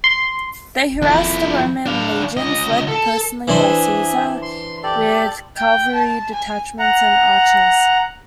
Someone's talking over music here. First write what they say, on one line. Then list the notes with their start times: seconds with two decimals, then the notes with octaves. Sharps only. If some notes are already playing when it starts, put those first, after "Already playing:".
They harassed the Roman legions, led personally by Caesar, with cavalry detachments and archers.
0.04 C6
1.02 F2 E4
1.86 D4 F5
2.37 C#2 D#5
2.88 A4
3.48 E3 D4 G#4 C5 E5
4.42 C6
4.83 G4 A4 D5
5.57 G5
5.95 A5
6.33 G#5
6.79 F#5 A#5